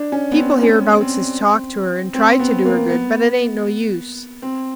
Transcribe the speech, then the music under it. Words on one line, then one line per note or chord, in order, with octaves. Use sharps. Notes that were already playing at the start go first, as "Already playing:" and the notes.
People hereabouts has talked to her and tried to do her good, but it ain't no use.
Already playing: D4
C#4
B3
C4
C#4
C4
C4
B3
A#3
B3
C4